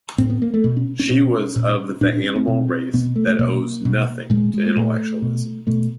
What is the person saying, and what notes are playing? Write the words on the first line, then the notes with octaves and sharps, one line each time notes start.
She was of the animal race that owes nothing to intellectualism.
A2 C4
B3
A#3
A3
B2
C#4
C#4
B2 C#4
A#2
A#2 D4
D4
C#4
C4
B2
B2 B3
A3
A3
B2 A#3
B2
A#2 G#3
G#3
A#3
A#2 A3
B2
B2 A3